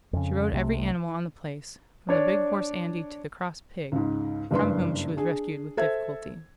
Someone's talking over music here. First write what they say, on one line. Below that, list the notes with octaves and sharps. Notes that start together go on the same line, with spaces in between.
She rode every animal on the place, from the big horse Andy to the cross pig, from whom she was rescued with difficulty.
F2 C#3
C2 C3 A3
D4 C#5 D5
C#2 G#2
F#1 G2 B4 C6
D4 G#4
A4 C5 E5 G#6